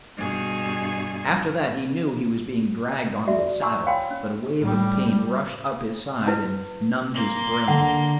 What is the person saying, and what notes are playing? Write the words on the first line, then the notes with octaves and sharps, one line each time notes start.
After that he knew he was being dragged onto a saddle, but a wave of pain rushed up his side and numbed his brain.
G2 B2 G#4
F#4 D5 E5
E4 G#5 C6 C#6 E6
C#5 F5 G5 G#5 B5 C6
C#4
A2 G3
E4 B4
A#3 C6
D3 F#5